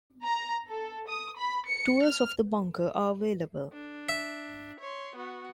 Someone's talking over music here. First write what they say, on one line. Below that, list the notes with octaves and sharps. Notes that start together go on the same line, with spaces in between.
Tours of the bunker are available.
A#5
A4
D#6
B5
C#7
F6
D4
E5
C#5 C6
B3 F#4